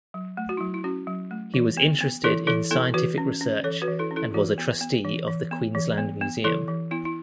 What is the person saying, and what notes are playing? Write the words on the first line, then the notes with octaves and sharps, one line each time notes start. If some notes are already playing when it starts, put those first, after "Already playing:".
He was interested in scientific research and was a trustee of the Queensland Museum.
F#3
A3
F#4
E4
F#3
E4
C#4 F#4
F#3
A3
E3
B3
B3
E3 E4 A4
E3 E4 A4
B3 E4 A4
E3 F#4 B4
C#4
C#4
E3 A4 C#5
F#4 B4
E3
E4 A4
C#4
E4 A4
E3 F#4
B3
B3
E3
E3
B3
E3
B3
B3
E3 E4 A4
E3
B3 E4
E4